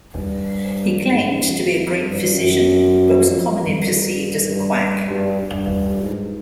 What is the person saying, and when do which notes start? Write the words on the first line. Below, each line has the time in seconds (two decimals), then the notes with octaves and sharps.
He claimed to be a "great physician", but was commonly perceived as a quack.
0.18 G2
1.10 G#2
1.41 F2
2.02 G2
2.33 F#2
3.26 F2
3.56 G2
4.48 G2
5.11 G2
5.42 G2
6.02 G#2